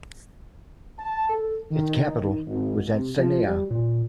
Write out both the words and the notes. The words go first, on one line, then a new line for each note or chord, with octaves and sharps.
Its capital was at Sana'a.
A5
A4
D#3
D#3
G#1
C3
F3
G3
A#2